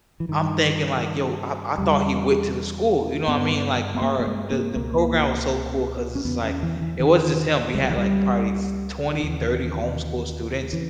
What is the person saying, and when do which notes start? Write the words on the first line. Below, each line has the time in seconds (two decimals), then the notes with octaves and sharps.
I'm thinking, like, yo, I I thought he went to the school. You know what mean? Like, our the the program was so cool 'cause it's, like, it wasn't just him. We had, like, probably s twenty, thirty homeschool students
0.20 E3
0.29 G2 D#3
1.78 E2 C#3 G3
3.28 G2 B3
3.95 B3
4.02 A#3
4.19 A#3
4.27 G#3
4.52 A#3
4.76 C#2 B2 A#3
6.15 C#4
6.25 E2 C#3 B3
6.44 C#4
6.63 E3
6.81 E3
7.00 D#3
7.74 C#2 C#3 G#3
7.82 G3
7.90 E3
7.97 G3
9.19 D#3
9.23 D#2 C#3 E3
10.73 C#3 E3